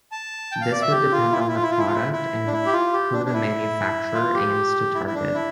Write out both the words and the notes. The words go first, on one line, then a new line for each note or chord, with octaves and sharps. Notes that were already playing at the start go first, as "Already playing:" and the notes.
This would depend on the product and who the manufacturer aims to target.
A5
G5
F5
D5
E5
G4
F4
E4
F4
E4
F4
E4
F4
E4
F4
E4
E4
D4
E4
G4
F4
G4
D4
D4
E4
F4
G4
E4
E4
D4
E4